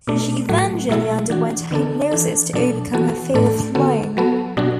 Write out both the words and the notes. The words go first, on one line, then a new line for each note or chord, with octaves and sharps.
She eventually underwent hypnosis to overcome her fear of flying.
B2 A3 D4
A2 F#3 A3 F#4
B2 F#3 A3 E4 A4
E3 D4 F#4
D3 B3 D4 A4
E3 D4 A4
B2 F#3 D4 A4
E3 B3 F#4 A4
A2 A3 D4 A4
D3 B3 F#4 A4
F#3 B3 F#4 A4
B2 F#3 D4 F#4